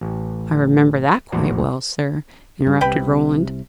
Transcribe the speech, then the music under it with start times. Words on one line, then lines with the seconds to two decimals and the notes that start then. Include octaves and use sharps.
"I remember that quite well, sir," interrupted Roland.
0.01 A1
1.32 A#1 E2 A2 F#4 C5 D5
2.67 G2 G3
2.81 C2 C3 B4 G5 B5